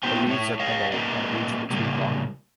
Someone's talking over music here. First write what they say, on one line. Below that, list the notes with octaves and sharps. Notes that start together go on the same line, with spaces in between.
The leaves are pinnate, and reach between long.
A#3 B3 D#4 F#4 C5 G5
A3 E4 C#5
C#5 D#5 F5
A#3 C#4 A#4 B4 D5 D#5
A2 C#3 G3 A#3